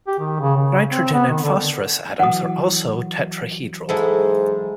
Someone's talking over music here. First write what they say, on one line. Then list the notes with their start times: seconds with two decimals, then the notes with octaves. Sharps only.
Nitrogen and phosphorus atoms are also tetrahedral.
0.07 G4
0.19 D#3
0.40 C#3
0.57 C#3
0.91 C4
1.13 B3
1.28 D#3
1.43 D3
2.20 E3 F#3 F#5 D#6
3.89 G#2 G#3 E4 A4